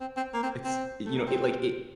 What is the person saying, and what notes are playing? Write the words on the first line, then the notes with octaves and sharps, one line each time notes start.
It's, you know, it, like, it
C4
C4
A#3
C4
C4
A3
A#3
C4